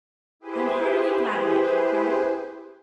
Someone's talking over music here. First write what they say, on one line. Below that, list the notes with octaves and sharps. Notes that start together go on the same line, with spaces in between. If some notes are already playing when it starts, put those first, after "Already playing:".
"I am heartily glad of it," he cried.
E4 G4 G#4 B4 C5